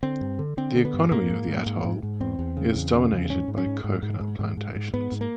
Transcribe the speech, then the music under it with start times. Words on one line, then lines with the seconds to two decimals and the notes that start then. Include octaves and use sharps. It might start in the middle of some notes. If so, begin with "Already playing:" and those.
The economy of the atoll is dominated by coconut plantations.
0.03 D3 C4
0.21 G2
0.39 D3
0.57 D3 C4
0.75 D3
0.85 B3
0.94 G2
1.11 G#2 A#3
1.30 G#2
1.48 G#2
1.66 G#2
1.84 G#2
2.03 G#2
2.20 E2 C4
2.39 E2
2.57 C#3
2.76 E2
2.94 C#3
3.12 E2
3.30 G#2 C#4
3.48 G#2
3.58 C#4
3.66 G#2
3.84 G#2
4.03 G#2
4.21 G#2
4.39 G#2
4.57 G#2
4.75 G#2
4.93 G#2 B3
5.12 G#2
5.21 A#3